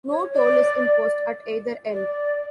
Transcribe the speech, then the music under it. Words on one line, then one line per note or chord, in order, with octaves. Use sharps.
No toll is imposed at either end.
C#5
D5
D5